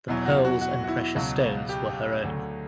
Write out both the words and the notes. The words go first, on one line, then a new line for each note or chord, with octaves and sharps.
The pearls and precious stones were her own.
E2 B2 F#3 E4
F#4
F#4
F#4
F#4
E4
C#2 B2 F#3
G4
D2 D3 F#3